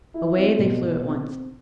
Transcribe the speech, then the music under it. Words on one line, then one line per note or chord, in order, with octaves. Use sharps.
Away they flew at once.
E4
C4
B2
B2
C4
C4